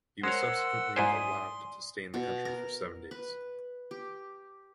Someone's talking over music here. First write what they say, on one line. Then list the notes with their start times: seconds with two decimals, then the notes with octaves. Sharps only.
He was subsequently allowed to stay in the country for seven days.
0.23 G#3 A#4 C5 C#5 F#5 C6 E6
0.96 G#2 E4 C5 D5 G#5 C6 D#6
2.14 B2
2.45 A#4
3.11 B4
3.91 G4